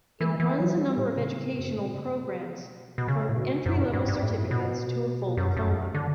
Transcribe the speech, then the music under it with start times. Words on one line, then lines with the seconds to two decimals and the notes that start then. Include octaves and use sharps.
It runs a number of educational programmes, from entry-level certificates to a full diploma.
0.21 E3
0.40 E3
0.59 F#3
0.78 G3
0.97 A2
1.17 C#3
1.59 F#2
1.67 G2
1.76 A2
1.85 B2
1.94 C#3
2.21 B2
2.98 B2
3.08 C#3
3.29 A2
3.36 B2
3.66 F#2
3.79 G2
3.93 G2
4.08 G2
4.22 A2
4.51 B2
5.37 F#2
5.57 F#2
5.95 D3